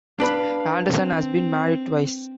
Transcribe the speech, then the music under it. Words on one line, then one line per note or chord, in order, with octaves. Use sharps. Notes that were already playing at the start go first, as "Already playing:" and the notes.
Anderson has been married twice.
D4 B4 F5 B5
C4